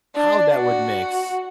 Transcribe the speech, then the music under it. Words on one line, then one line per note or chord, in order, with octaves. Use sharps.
how that would mix.
D4
F#4